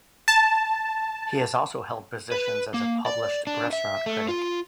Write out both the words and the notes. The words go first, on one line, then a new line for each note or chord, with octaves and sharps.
He has also held positions as a published restaurant critic.
A5
B4
A#3
D5
D4
E5
A3
F4